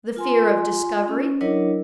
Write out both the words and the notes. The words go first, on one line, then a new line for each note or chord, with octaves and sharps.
The fear of discovery?
F4 G#5 C6
C#4
F#3 D4 E4 A#4 C#5 D#5